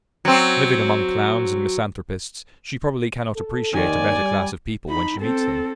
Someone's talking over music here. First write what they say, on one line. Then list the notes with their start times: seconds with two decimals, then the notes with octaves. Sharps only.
Living among clowns and misanthropists, she probably cannot appreciate a better class of people when she meets them.
0.25 F#3 C4
3.36 A4
3.73 D#2 D#3 D5 G#5
4.18 G3
4.89 D#4 B5
5.20 C4 A4